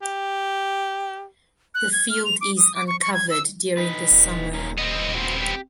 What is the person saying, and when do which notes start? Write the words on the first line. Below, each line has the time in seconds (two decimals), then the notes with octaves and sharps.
The field is uncovered during the summer.
0.02 G4
1.75 F#6
1.92 G#6
2.10 F6
2.25 F7
2.41 D6
2.57 D#6
2.75 D6
2.88 C#6
3.02 C#6
3.14 G#6
3.30 E6
3.77 D#4 B4
4.11 D#1
4.53 A#3 C#4 D#4
4.78 B3 C4 D#5
5.15 F#4 C5
5.42 G4